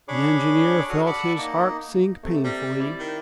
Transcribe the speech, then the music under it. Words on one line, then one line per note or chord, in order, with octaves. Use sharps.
The engineer felt his heart sink painfully.
D4 G#4 C#5 B5 C#6 D6
F#4 A4 D#6 F6
D5 F#5 A5 B5 D6 E6
A#3 D#4
C3 A3
C3 G3 G6 A#6
E4 D5
D#3